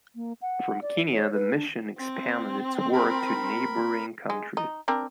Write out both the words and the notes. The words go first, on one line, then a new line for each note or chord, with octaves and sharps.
From Kenya, the mission expanded its work to neighboring countries.
A#3
F#5
D5
C#5
B4
D4
C4
A#4 B5
G#3
D#4
C4 D4 A#4